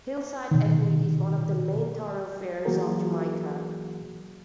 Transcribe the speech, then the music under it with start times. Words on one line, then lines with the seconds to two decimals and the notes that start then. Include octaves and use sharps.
Hillside Avenue is one of the main thoroughfares of Jamaica.
0.51 B2 D#3
2.65 E3 F#3 A#3 F#4 G#4 A#4